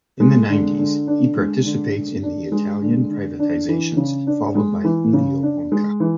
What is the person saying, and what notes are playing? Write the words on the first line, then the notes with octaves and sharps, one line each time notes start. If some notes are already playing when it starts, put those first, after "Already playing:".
In the nineties, he participates in the Italian privatizations followed by Mediobanca.
G#3
D3
D3
D4
G#3
D3
D3
D4
G#3
D3
D3
D4
E3
C#3
D4
G#3
E3
C#3
D4
G#3
E3